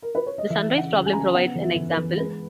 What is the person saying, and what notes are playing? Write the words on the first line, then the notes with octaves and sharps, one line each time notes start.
The "sunrise problem" provides an example.
A#4
B4
C#5
D#5
E3 E5
C#3
F#5
C#3
G#5
C#3 A#5
G#5
B3 F#5
E3
E5
E3
B4
E3
G#3 B4